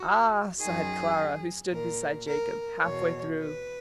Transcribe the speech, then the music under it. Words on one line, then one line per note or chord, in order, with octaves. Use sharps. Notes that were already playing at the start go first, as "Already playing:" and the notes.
"Ah," sighed Clara, who stood beside Jacob, half-way through.
Already playing: F#4
F#2 D#3 G#4
A#2 A#4
A#4
E2 B2 C#5
B4